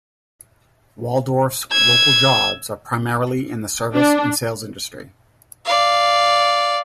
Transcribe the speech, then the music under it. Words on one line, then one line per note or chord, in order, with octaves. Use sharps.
Waldorf's local jobs are primarily in the service and sales industry.
E6 G#6
D4
D5 F5